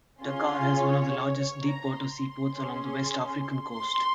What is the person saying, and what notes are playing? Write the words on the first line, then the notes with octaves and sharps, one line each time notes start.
Dakar has one of the largest deep-water seaports along the West African coast.
C#4 F4 G#4 C6
C#5
C#5
A#5
C6
C#4 G#4
C6